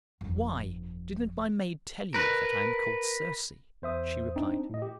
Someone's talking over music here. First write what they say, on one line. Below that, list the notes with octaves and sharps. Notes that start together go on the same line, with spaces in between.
"Why, didn't my maid tell you that I am called Circe?" she replied.
G1 F2
A#4 B4
E2 C5 E5 D#6
C4 D4 D#4
A2 D#5
G4